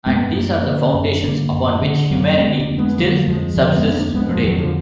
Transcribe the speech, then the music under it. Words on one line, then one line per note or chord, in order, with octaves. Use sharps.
And these are the foundations upon which humanity still subsists today.
F#2 G#3 B3
F#2 A#3 D4
D3
F#2
D3 A#3 D4
F#2
D3
F#2 F#3 A#3
D3 G#3 B3
A#3 D4
F2
G#3 B3
D3 F#3 A#3
F2 F3 G#3
F2 D3 F3
G#3 B3
F2
A#3 D4
F2 G#3 B3
F3 G#3
F2 D#3 F#3
D3 F3